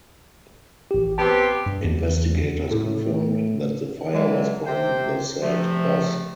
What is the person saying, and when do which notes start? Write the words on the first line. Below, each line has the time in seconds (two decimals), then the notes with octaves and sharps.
Investigators confirmed that the fire was from the said bus.
0.91 A1 G4
1.18 B3 C4 G4 A5
1.66 G2
1.84 E2
2.71 A2
4.14 D3 E3 F#3 G#3
4.67 C3 C5 G5
5.42 C3 F3 A3